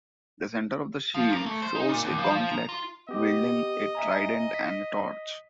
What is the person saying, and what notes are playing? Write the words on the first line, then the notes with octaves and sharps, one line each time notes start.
The center of the shield shows a gauntlet wielding a trident and a torch.
F3
A#3
A3
C5
D#4
A#2
D#2
F3
F3
A#5
F4
B3 G4 D#5
E5 G#5 A#5
B6